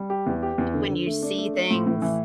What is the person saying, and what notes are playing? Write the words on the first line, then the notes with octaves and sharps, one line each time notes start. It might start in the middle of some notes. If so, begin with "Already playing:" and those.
when you see things
Already playing: G3
G4
E2
G4
E2
D3
D3
A3
D4
A3
A3
A2
A2
E3